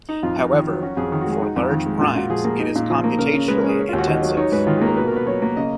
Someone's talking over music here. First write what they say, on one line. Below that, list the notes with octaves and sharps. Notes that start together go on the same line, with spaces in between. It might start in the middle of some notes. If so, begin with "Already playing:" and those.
However, for large primes it is computationally intensive.
D#4
F2 F4
F2
D#3
F#3
C#4 F#4
F2 G#4
D#3
F#4
G#3 G#4
D#4 F#4
F2
D#3
G#3
A#2 F4
A#2 F#4
F3 G#4
A#3 G#4
D#4
A#2
F3
A#3
C#3 A#4
C#3
G#3 B4
A#4
C#4
G#4
C#4
F4
D#2
F#4
D#3 D#5
F#3
D#4 C#5
G#2 B4
D#3 F4
G#4
A#3
A#4
B2 B4
A#4
B2 B4
F#3 C#5
A#3
C#3 D#5